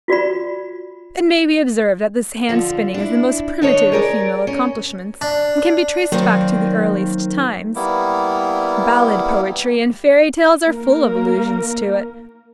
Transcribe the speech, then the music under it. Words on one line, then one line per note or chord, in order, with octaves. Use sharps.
It may be observed that this hand-spinning is the most primitive of female accomplishments, and can be traced back to the earliest times. Ballad poetry and fairy tales are full of allusions to it.
F4 F#4 D5 B5
D3 F3
D4 E4
D#3 D4 D#4 C5 C#5
G#4 A#4 C#5 D5
C#4
D4
D#3 F#3 A#3 C4
G3 A#3 B3 E4
A#3 A#4